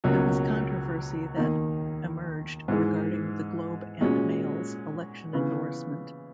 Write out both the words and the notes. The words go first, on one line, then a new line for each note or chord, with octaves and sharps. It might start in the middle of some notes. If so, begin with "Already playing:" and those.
There was controversy that emerged regarding the Globe and Mail's election endorsement.
C#2 B2 F#3 A#3 C#4
D#2 D#3 A#3 D#4
G#2 E3 G#3
A#2 G#3 C#4 F#4
C#3 E3 B3